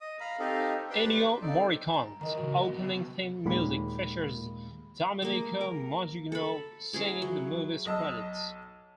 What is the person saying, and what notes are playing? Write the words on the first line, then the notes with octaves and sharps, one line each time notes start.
Ennio Morricone's opening theme music features Domenico Modugno singing the movie's credits.
D#5 D#6
F5 A#5 B5
C4 D#4 G4 A4 D#5 F5
D4 G4 B4 C5 G5 C6
C4 D#4 A4 D5
A#5
D#3 E3 A#4 D#5 A#5
C#3 E3 F#4
A#3 D#5
C3 B3
D#2 A#2 D#3 G#3 A#3 B5
G#3 A#3
A#4
A4 B5
C#4 E4 G#4 A#5
F#3
B1 D#5 A5 E6